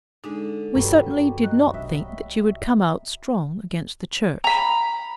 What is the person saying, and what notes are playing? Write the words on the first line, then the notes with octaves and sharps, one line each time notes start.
We certainly did not think that you would come out strong against the Church.
D3 G#3 D4 D#4 G#4
G2 F#3 G3 C#4 A#4 B4
D#5 F#6
B1 D#5 E5
A#5 B5